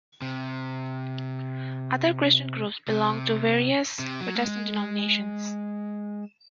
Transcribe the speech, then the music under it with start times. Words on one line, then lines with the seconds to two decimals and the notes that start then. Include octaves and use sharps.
Other Christian groups belong to various Protestant denominations.
0.22 C3
2.88 C3
3.99 C3
4.21 F#3
4.35 A3
4.43 G#3